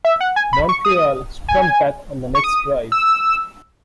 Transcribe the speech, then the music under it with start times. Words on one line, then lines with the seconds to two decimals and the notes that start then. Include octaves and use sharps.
Montreal struck back on the next drive.
0.05 E5
0.21 F#5
0.36 G#5
0.53 B5
0.69 C#6
0.85 D#6
1.48 G#5
2.35 C#6
2.44 D#6
2.92 E6